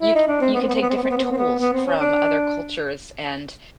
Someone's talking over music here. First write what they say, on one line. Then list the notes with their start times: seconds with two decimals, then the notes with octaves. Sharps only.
you c you can take different tools from other cultures, and
0.01 E4
0.15 D#4
0.28 D4
0.41 C4
0.54 B3
0.61 C4
0.68 B3
0.75 C4
0.81 B3
0.89 C4
0.95 B3
1.03 C4
1.11 B3
1.17 C4
1.24 B3
1.31 C4
1.37 B3
1.59 B3
1.73 C4
1.86 C#4
2.00 D4